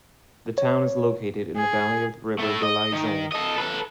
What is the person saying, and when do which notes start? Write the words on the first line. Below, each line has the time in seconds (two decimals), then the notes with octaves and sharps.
The town is located in the valley of the river Dolaizon.
0.58 C#5
1.57 G#4
2.39 A3 E4
2.63 D#5
2.93 D#3
3.32 A4 D#5
3.58 A4 B4